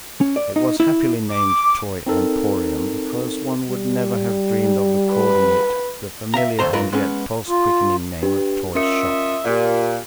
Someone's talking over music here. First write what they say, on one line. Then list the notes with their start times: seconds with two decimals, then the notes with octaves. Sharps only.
It was happily named Toy Emporium, because one would never have dreamed of according it the familiar and yet pulse-quickening name of toyshop.
0.21 C#4
0.36 D5
0.56 D#4
0.80 E4
1.30 D6
2.07 C4 D#4 A4 A#4
3.69 G3
5.13 B4
6.34 E5 F5 A#5
6.59 D#2 A#2 A4 C5 A#5
6.73 F#2 F4 A#4 B4 B5
6.92 G#3 B3 C#4
7.49 F4
8.22 D4 G4 B4
8.75 C#4 F4 A#4 D#5 E5 C#7
9.45 A#2 G4 A#4